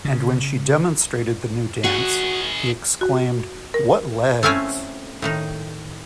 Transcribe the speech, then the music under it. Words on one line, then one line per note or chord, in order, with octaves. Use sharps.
And when she demonstrated the new dance, he exclaimed, What legs!
C#3
D#3 F#4 G#4 F#5
F#4
A#4
A3 C4 C#4 E4 F5 G#5
A2 D#3 D#4